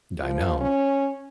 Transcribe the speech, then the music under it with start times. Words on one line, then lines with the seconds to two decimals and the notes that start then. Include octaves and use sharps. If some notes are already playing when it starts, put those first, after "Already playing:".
D I know.
0.20 F3
0.60 C#4